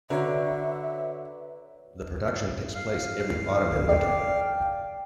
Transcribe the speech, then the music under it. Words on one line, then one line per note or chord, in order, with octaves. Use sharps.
The production takes place every autumn and winter.
D3 F#4 B4 C#5 E5 A#5
F5
D5 G5